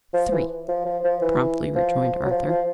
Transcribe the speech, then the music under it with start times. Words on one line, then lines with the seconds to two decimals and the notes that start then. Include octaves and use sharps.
"Three," promptly rejoined Arthur.
0.13 F3
0.32 E3
0.69 F3
0.85 F3
1.04 F3
1.22 E3
1.76 F3
2.24 F#3
2.31 F3
2.49 F3